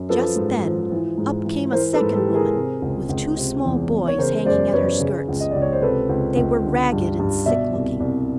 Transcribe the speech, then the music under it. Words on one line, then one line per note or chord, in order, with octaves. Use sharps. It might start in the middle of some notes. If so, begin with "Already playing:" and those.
Just then up came a second woman with two small boys hanging at her skirts. They were ragged and sick-looking.
Already playing: F#2
F3 A4 B4
G#2
F3
E3
G#2
E3
E3 A#4 C5
A4 B4
G#2
G4 A4
E3
G#4 A#4
C3
C#2
C#2
C3
E2
E2
C#5
C#3 A#4 C5
F#2 C5 D5
F#2 B4 C#5
C#3
C#2
D#5
C#2 D5
C#5
C5
C3 A4 B4
C#2
C#2
D3
G2
G2
B2 D5 E5
C2
C2